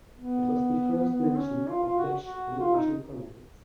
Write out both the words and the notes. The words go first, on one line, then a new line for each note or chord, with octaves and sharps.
It was the first mention of veche in Russian chronicles.
B3
B3
C#4
F4
F4
F#4
F#4
F4
D#4